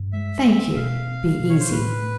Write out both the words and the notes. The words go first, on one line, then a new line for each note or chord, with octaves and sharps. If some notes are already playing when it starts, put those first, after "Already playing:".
Thank you; be easy.
Already playing: G2
G#3 E5
C4 E5
B2 F5
C4
B2
C#5
C5
A2 B4
A3